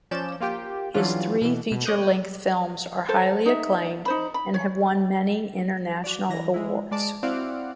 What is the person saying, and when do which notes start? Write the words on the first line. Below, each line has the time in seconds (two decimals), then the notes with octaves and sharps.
His three feature length films are highly acclaimed and have won many international awards.
0.11 F3 C#4 D5 A5 G6 E7
0.41 A#3 F4 G4 G5
0.94 E3 F#3 G3 C#4 D4 F4
1.41 B2 E3
1.71 B2
1.85 C#5 D#5 D6 D#6 F#6 G6
3.09 A4 C5
3.46 D#4 E5
4.06 D#4 C5 B5
4.34 B5
4.54 C#5
6.04 F#4 D5
6.29 E3 A#6
6.54 G#3 E4
6.91 G#3 D5 A5 D7
7.23 C4 E4 F#4 D5 F5 F#5